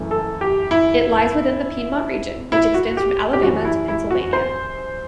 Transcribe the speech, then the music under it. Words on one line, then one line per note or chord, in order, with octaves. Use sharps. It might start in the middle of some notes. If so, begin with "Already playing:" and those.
It lies within the Piedmont region, which extends from Alabama to Pennsylvania.
Already playing: F#1 F#2 E3 A3
A4
G4
E4
E4
F#4
G4
G4
F#2 E3 G3 F#4
E4
E4
F#4
C5